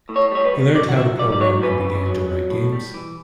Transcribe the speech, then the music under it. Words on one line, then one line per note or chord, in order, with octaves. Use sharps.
He learnt how to programme and began to write games.
A2
C#5
G3 C#5
B4
G3
F#3 D5
F#5
F#3 E5
F#3 D5
D5
F#3 C#5
C#3 B4
C#3
F#3
F#3
A2
G3
E3